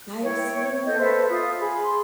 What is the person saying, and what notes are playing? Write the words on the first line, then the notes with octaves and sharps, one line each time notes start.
I've seen that.
E4 C#5 G5
A4 D#5 G6
A4 B4 C5 E5
F4 D#6
G#4 B5
C6